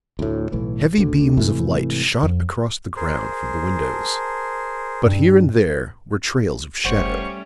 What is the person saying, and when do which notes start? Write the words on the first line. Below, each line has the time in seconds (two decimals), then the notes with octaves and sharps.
Heavy beams of light shot across the ground from the windows; but here and there were trails of shadow.
0.19 D2 A2
0.52 B1 A2 E3
0.98 D2 D3
1.37 G#2 C3 E3 A3
2.23 F2
2.96 G#4 A#4 C5
3.77 A5
5.05 G2
6.85 F#1 G3 A3 C#4 C5 F#5 C#6